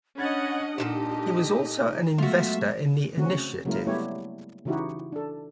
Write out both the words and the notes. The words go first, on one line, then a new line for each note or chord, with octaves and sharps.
He was also an investor in the initiative.
C#4 D4 D#5 F#5 B5 G#6 A6
A#2 E3 D#4 G4 A4 D#5
F#3 G#3 A3 B3 F4 F#4 E5
C#3 A3 C4 C#4 F#4
C#3 F#3 G#3 A#3 E4 A#4
G3 A3 B3 E4 G4 C#5
C#3 E3 D#4 E4 F#4 G4
D4 A4